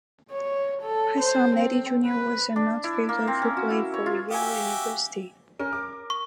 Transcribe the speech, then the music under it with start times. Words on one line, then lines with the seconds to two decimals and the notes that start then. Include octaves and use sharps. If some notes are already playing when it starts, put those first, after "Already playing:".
His son, Eddie Junior was an outfielder who played for Yale University.
0.31 C#5
0.82 A4
1.21 C5
1.56 C4
2.05 B4
2.56 D4
2.84 E4
3.09 A#3
3.27 C4
3.42 C#4
3.57 F#4
3.70 E4
3.94 C#5
4.06 F4
4.31 F#4 G4 E5 F5 G#5
5.60 C#4 A#4
5.73 D6
6.10 C#6